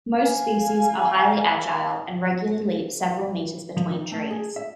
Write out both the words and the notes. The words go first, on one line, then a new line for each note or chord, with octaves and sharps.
Most species are highly agile, and regularly leap several metres between trees.
F5 G#5
F3
D#4
A3
G#4
E5